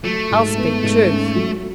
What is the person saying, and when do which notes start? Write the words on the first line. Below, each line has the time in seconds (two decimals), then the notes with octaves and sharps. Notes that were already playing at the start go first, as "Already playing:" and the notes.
I'll speak truth.
0.04 F#3 A3
0.31 G#2
0.57 B3
0.83 G#2
1.09 C#4
1.35 F#3